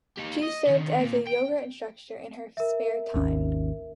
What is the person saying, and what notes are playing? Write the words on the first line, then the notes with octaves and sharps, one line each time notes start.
She serves as a yoga instructor in her spare time.
D#4 G4
D#5
D3 D#3
A#3 F4
G5
A#4 E5
G#1 D#2 C#4